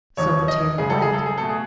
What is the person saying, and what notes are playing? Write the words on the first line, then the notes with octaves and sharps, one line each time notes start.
So the tailor went.
E1 D#2 D#3 C#5
D#5
F#2 C#3 G#3 G#4
A4
G#4
A4
G#4
B2 A3 A4
G#4